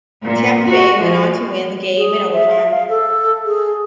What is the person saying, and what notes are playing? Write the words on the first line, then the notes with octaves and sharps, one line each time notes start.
Tampa Bay went on to win the game in overtime.
A#2
F#4
F3
G#4
E5
F5
A4
G#4